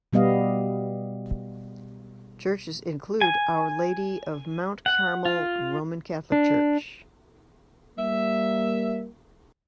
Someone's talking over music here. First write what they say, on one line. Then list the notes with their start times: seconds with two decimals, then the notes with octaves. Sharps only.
Churches include Our Lady of Mount Carmel Roman Catholic Church.
0.13 B2 G3 B3 D#5 F5
3.21 G#5
4.86 F#5
5.25 F4
6.32 D4
7.98 G3 A#3 E5